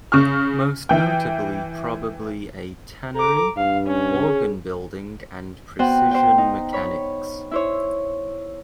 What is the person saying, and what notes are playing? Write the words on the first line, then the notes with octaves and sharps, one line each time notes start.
Most notably probably a tannery, organ-building and precision mechanics.
C#3 C#6 F6
E3 G5
A4 A#5 D6
G2 F5
C#4
G#4
B3 F#4 C5 F#5 G5
C5 G5
D#4
C#5 B5
E4 C5 C#5